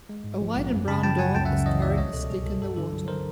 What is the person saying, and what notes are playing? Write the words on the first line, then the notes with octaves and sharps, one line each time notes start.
A white and brown dog is carrying a stick in the water.
G#3
G#2
F3
A#1
F#2
C#3 A5 B5
F3 G5 A5
F#2 F#5 G#5
C#2 G5 A5
E5 F#5
C#3
E3 C#5 D#5
C#2 D5 E5
C2 C#5 D#5
B2 A4
F#3 G#4
C2 A4
G2 A4
D3 A4
F#3
A#4 C5